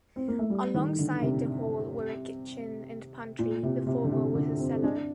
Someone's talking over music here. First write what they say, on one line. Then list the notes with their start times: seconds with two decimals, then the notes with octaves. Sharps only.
Alongside the hall were a kitchen and pantry, the former with a cellar.
0.16 C4
0.28 A#3
0.39 A3
0.50 G3
0.74 D#3
0.99 D3
1.22 C3
3.39 A#2
3.63 C3
3.87 C3
4.04 D3
4.11 C3
4.35 D3
4.59 C4
4.83 D4